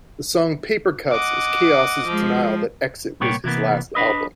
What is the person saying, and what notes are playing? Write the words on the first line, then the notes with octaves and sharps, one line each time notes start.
The song "Papercutz" is k-os's denial that "Exit" was his last album.
D#5 F#5 D6
F3 G#3
C2 A#2 A#3 B3 C#5 G5
C3 E3 A#3 B3
D4 B4 D#5